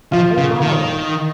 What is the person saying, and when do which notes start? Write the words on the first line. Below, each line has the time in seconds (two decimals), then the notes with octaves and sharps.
"Hold on!"
0.12 F3 F4
0.37 C#3
0.62 D#3